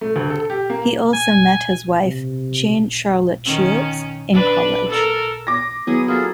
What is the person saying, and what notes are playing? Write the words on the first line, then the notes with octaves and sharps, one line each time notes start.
He also met his wife, Jane Charlotte Shields, in college.
A3
D2
A4
G4
A#3
G#5
C3
D#3 C#4
D4 B4
A4 A#4
D6 A#6
F#3 B3 E4 G#4 D#6
A#3 F4 F#4 G#4 A4